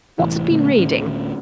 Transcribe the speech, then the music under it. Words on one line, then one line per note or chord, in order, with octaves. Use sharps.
What's it been reading?
C2 A2 E3
A#2 D3 A3 C4
D2 A2 C#4